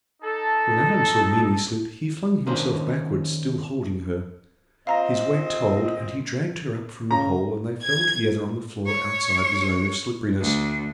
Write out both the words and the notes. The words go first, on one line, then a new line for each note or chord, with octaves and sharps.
When Adam saw Mimi slip, he flung himself backward, still holding her. His weight told, and he dragged her up from the hole and they fell together on the floor outside the zone of slipperiness.
D#4 A4
D#3 A#3 C#4 D4 C5
A#2 C4 D#5 F5 A#5 A#6
C#3 A#5
G#6
C#5
D2